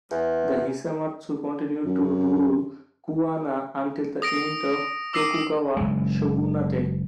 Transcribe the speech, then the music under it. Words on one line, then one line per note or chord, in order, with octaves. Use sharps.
The Hisamatsu continued to rule Kuwana until the end of the Tokugawa shogunate.
E2
F#2
D#6 A#6 D7
D6 E6 A#6 C7 D#7
F#1 G#3